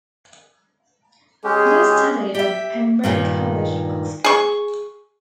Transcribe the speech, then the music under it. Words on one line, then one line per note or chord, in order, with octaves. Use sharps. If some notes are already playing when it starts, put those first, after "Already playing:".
Bliss studied at Pembroke College, Oxford.
G#3 C#4 G4 G#4
G4 E5
G2 A#2 D#3
G#4 C#6